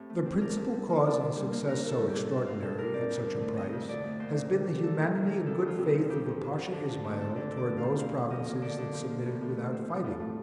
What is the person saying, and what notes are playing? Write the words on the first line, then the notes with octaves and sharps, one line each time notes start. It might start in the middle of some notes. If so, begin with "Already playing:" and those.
The principal cause of a success so extraordinary, at such a price, has been the humanity and good faith of the Pasha Ismael towards those provinces that submitted without fighting.
Already playing: A2 C4 G4
A3
C4
D4 A#4
C3
G3
A#3
D4
C3
G3
A#3
A#2 A#4
A#2 A4
G3
G4
D4
A#2 A4
A#2 F4
G3 A4
D4 A#4
C4 D5
F2
D3
A3
C4 D#5
F2
D3 D5
A3
A#2 C5
A#2
G3
D4
A#2 A4
A#2
G3
A#4
D4
F2 A4
F2
F4
C3
F3 D#4
F2 G4
F2
C3
F3
D3 D4
D3 D4
A3 D4
C4 A4
D3 D5
D3
D5
A3
F5
C4
D3 F5
D3
F3 D#5
A#3
D3 D5
D3
F3
A#3
A2
A2
A3
C4
A2
A2
A3